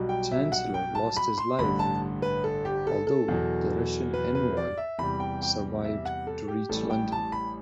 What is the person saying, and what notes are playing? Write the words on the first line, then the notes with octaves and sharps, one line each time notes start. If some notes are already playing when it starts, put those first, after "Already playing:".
Chancellor lost his life, although the Russian envoy survived to reach London.
Already playing: B1 B2 G3
G5
E5
F#5
G5
A5
B5
C6
A1 G2 D3 B5
A5
B4
A4
G4
A4
A4
E2 B2 F#3
B4
B4
D5
E5
E2 C3 G3 B5
G5
G5
E5
F#5
A4
G4
A1 A2 E3 G3 A4
G5
A5
B5